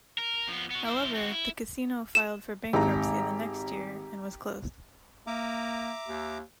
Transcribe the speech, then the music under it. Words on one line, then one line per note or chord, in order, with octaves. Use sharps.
However, the casino filed for bankruptcy the next year and was closed.
A#4
F3 B3
B3 F#4
E4 C5
C4 F#4
E4
E7
G#1 G4 A#5
A#3 E5 A#5 D6
D#2